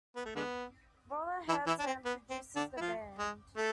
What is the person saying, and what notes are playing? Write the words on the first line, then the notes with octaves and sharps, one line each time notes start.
Rollo heads and produces the band.
B3
A3
D3 G#3 B3
E3 E4
E3 E4
D4
C4
B3
C4
D3 D4
E4
F3 F4
G#3 G#4
A3 A4